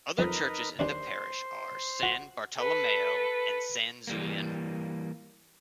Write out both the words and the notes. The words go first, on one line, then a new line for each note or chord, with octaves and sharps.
Other churches in the parish are San Bartolomeo and San Zulian.
F2 D#4 A#4 B4
D#2 D4 C5 D5
F#4
A4 B4
E3 G3 A#3